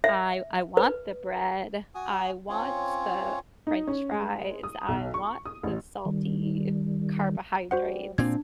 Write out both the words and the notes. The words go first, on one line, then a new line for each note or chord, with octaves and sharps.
I I want the bread, I want the french fries, I want the salty carbohydrates.
E5
B4
F#4 G#5 D#6
C4 C#4 F4 C#5
D#4
C#4
G#3
D#6
B1
C#6
D#6
A1
D#3 G3
G3 F#4 C5 F#5
A#2 C4 D4 G#6